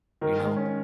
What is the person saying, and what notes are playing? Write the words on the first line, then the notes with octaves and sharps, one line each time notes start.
You know?
D#3 A#4
G#3
C#4